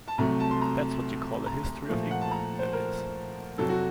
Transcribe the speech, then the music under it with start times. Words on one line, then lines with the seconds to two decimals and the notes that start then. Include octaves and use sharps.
That’s what you call a History of England, that is.
0.08 A5
0.18 C2 C3 F#3 A3 A#5
0.40 A5
0.51 C6
0.61 A#5
1.46 A#5
1.88 A#2 F3 A3
2.11 F#5
2.21 A5
2.31 A#5
2.59 C5
2.73 A#4
3.58 F2 C3 F#3 A4
3.69 F#4